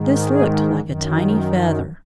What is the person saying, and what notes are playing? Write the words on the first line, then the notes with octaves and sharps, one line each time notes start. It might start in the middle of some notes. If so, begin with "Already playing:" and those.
This looked like a tiny feather.
Already playing: G#2 D#3
G#4
F#2 D#3